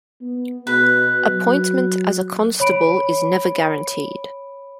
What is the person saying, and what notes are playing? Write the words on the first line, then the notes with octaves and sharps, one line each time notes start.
Appointment as a Constable is never guaranteed.
B3
B2 B4
F#3
C#5 B5 D7